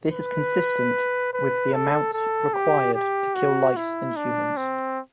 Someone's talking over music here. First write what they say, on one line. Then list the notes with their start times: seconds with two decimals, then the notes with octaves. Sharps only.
This is consistent with the amounts required to kill lice and humans.
0.11 B4
1.33 B4
1.73 A4
2.13 A4
2.54 G4
2.94 G4
3.35 F#4
3.76 E4
4.16 D4
4.57 C4